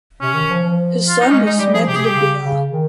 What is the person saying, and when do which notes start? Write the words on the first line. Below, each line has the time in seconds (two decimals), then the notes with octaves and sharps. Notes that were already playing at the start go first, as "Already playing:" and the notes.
His son is Matt Le Ber.
0.21 C3 C#4
0.34 D#3
0.49 F3
0.63 F3
1.09 F4
1.21 D#4
1.32 G#3 C#4
1.46 G#3 D#4
1.59 G3 G4
1.74 F3 G#4
1.87 C3 G4
1.96 G#4
2.05 G4
2.15 C#3
2.43 C#3
2.71 D#3